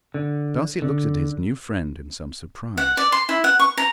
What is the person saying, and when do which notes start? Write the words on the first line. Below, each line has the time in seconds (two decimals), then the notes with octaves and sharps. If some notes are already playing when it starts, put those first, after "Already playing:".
Darcy looked at his new friend in some surprise.
0.14 D3
0.82 D3
2.77 F#5
2.97 D5
3.12 C6
3.29 E4
3.44 F#5
3.59 C#6
3.77 A#5